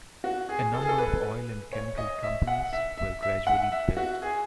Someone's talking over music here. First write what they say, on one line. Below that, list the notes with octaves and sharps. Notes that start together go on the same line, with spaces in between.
A number of oil and chemical companies were gradually built.
F#4
G#4
A4
G#4
A4
B4
C#5
D#5
E5
F#5
E5
E5
E5
F#5
E5
F#4
G#4